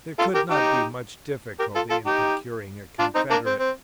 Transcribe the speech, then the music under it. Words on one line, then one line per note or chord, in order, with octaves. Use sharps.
There could not be much difficulty in procuring a confederate.
F4 A4
G4 A#4
D#4 G4
G4 A#4
F4 A4
F4 A4
D#4 G4
D4 F4
C4 D#4
A#3 D4
C4
C4